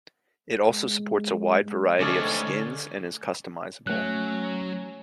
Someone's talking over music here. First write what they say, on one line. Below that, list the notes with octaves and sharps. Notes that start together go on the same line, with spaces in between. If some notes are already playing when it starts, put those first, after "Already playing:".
It also supports a wide variety of skins and is customizable.
G#3
D3 A3 C#4 D#4 G#4 D5
F#3 A3 C#4 F#6